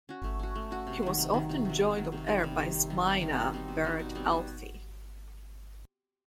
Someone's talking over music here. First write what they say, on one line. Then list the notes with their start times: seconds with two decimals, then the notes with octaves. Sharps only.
He was often joined on air by his mynah bird Alfie.
0.09 C#4 F#4
0.24 A3
0.39 C#4 F#4
0.55 A3
0.71 C#4 F#4
0.87 C3
1.03 D#3 F#3
1.18 C3
1.34 D#3 F#3
1.49 C3
1.65 D#3 F#3
1.80 C3
1.96 D#3 F#3
2.12 C3
2.27 D#3 G3
2.44 C3
2.58 D#3 G3
2.74 C3
2.90 D#3 G3
3.06 C3
3.21 D#3 G3
3.37 B2
3.53 G3 C4 D#4
3.68 B2
3.84 G3 C4 D#4
3.99 B2
4.15 G3 C4 D#4
4.31 B2